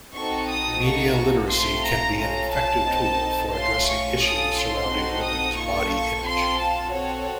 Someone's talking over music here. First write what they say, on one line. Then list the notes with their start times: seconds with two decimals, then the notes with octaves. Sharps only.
Media literacy can be an effective tool for addressing issues surrounding women's body image.
0.14 C4 D#4 F#4 A4 C#6
0.48 D#6
0.82 A#3 D#4 F#4 A4 C#6
1.50 A3 C4 F4 C6
1.84 A#5
2.18 C#4 F4 A4 A#5
2.52 A5
2.85 C4 D#4 A4
3.53 A3 C#4 F4 C6
3.87 C#6
4.22 C#4 F4 A4 D#6
4.54 C6
4.89 C4 D#4 F#4 A4
5.23 D#6
5.56 A#3 F4 A4 C#6
6.24 C4 F4 A4 C6
6.58 A5
6.91 C4 F#4 A4 C#5